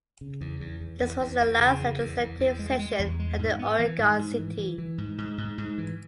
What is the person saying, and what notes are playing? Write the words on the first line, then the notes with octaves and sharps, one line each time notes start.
This was the last legislative session held in Oregon City.
C#3
E2
E2
E2
E2
E2
E2
C#3
E2
E2
E2
E2
G#3
G#3
E2
G#3
G#2
B3
E3
G#2
G#2
E3
E3
E3
G#2
G#2
G#2
G#2
E3